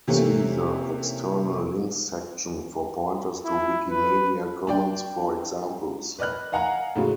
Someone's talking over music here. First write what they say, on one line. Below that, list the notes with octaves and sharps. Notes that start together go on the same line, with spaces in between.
See the "External links" section for pointers to Wikimedia Commons for examples.
C3 E3 A3 A#3 C4 C#4
E4
B4
D4 D5 G5
B4 D5 D#5 F6 F#6
D#5 F5 F#5 G#5 A#5
A2 C#3 F#3 G#3